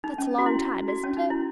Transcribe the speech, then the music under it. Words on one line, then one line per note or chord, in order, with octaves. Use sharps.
That's a long time, isn't it?
D#4
C#4
F#4
E4
F#4
C#4
D#4
E4